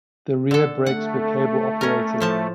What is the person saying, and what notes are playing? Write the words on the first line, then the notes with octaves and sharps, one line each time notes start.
The rear brakes were cable-operated.
D3 A4
A3 F#5
C#4 A#4
A2 F3 A5